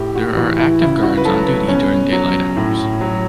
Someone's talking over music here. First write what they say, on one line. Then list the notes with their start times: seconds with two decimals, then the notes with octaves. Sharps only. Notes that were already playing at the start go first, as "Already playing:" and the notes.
There are active guards on duty during daylight hours.
Already playing: A2 G4
0.15 F#4
0.37 E3 F#4
0.59 E4
0.81 C#3 E4
1.03 F#4
1.17 B4
1.25 F#3 A4
1.47 B4
1.68 B2 C#4
2.12 F#3
2.56 A2
3.01 F#3